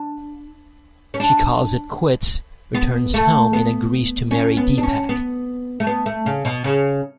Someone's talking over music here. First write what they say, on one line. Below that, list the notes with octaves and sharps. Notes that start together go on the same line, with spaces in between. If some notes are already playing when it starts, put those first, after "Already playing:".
She calls it quits, returns home and agrees to marry Deepak.
Already playing: D4
C#4
D4
B3
A3
B3
C#4
B3
D4
C#4
B3
A3
B3
A3
C#3
B2
C#3